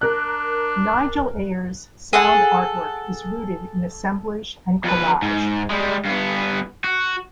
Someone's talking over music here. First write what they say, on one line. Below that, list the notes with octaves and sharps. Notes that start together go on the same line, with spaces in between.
Nigel Ayers' sound art work is rooted in assemblage and collage.
D4 A#4 F#6
G#4 A4 F#5
F2 B4
G#2
G3 G#3
G2 B3
F#4